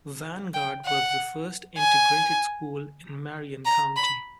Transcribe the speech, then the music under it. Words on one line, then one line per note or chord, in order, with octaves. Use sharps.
Vanguard was the first integrated school in Marion County.
G5
F#5
G#5
A#5
B5